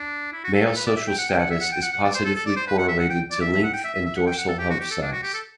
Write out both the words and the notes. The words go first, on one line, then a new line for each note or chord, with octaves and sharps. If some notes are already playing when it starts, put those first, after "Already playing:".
Male social status is positively correlated to length and dorsal hump size.
Already playing: D4
E4
F#4
A4
A4
B4
D5
E5
G5
F#5
G5
F#5
E5
F#5
G5
F#5
F#5
D5
C5
A4
A4
D5
C5
B4
F#5
E5
F#5
G5
D5
E5
E5
F#5
G5
E5
E5
E5
F#5
G5
F#5
A4
G4
F#4
G4
A4
D4
F#4
G4
A4